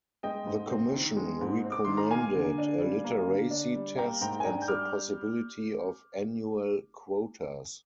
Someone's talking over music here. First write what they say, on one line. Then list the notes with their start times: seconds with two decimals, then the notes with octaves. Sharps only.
The Commission recommended a literacy test and the possibility of annual quotas.
0.23 G#3 D#5 G5
0.47 G#2
0.70 C4
0.94 D#3
1.17 G#3
1.41 G#2
1.64 C4
1.72 D6
1.85 D#3 C6
1.97 A#5
2.10 A#3 F5 G#5
2.35 D3
2.58 D4
2.81 G3
3.05 A#3
3.28 D3
3.51 D4
3.75 G3
3.97 A#3 G5 A#5
4.21 G#2 G5 A#5
4.40 G#5
4.44 D4 G5 A#5
4.62 G6
4.68 G3 D6 F6